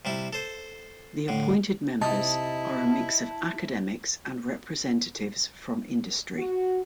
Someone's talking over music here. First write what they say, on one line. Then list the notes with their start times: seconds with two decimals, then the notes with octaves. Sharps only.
The appointed members are a mix of academics and representatives from industry.
0.05 C3 G3 E4
0.33 A4 C5
1.28 A2 D3
2.02 C3 D#4 E4 A5
6.38 F#4